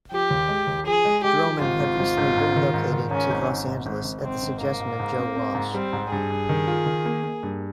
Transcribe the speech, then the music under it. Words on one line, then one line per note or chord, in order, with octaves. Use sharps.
Droman had recently relocated to Los Angeles at the suggestion of Joe Walsh.
F3 G4
D#2
G#3
D#2
F3 G#4
G#3
G#3 G4
F3
G#1 F4
G#1
G#1
G#1
G#2
D#3
G#2
D#3
G#2 C#4
G#1
G#2
G#1
G#1
G#1
G#1 C4
G#1
G#2 A#3
G#2
G#2
C4
C4
G#2
G3 C4
G#2
G2 G#4
G2
D#3
F4
D#3
A#3
A#3
G2